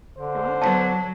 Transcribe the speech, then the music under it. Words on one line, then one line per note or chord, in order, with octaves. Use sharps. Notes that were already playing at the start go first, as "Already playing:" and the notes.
You're welcome.
D3 C5
F#3 A5